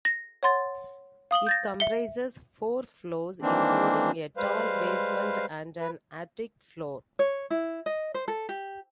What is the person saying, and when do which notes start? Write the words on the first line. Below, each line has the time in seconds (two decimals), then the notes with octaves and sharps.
It comprises four floors, including a tall basement and an attic floor.
0.05 A#6
0.43 C#5 F#5 C6 A6
1.31 F5 D#6 F#7 G7
1.47 G6 A6 A#6
1.80 E5 C#7 G7
3.42 D#3 E3 A#3 C4 D4
4.37 G3 G#3 B4 C5 F5
5.80 B4
7.19 C#5
7.50 E4
7.86 D#5
8.14 C5
8.28 A4
8.49 G4